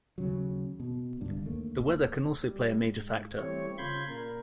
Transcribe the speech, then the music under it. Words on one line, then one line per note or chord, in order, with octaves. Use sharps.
The weather can also play a major factor.
D#2 C#3 F#3
B2
C2 G2 D3
D#2 A3 A#3
G3
G#2
E3 G3 A3 C4 C#5
C#3 F4 B5 C6 G6 G#6
A#2 A#4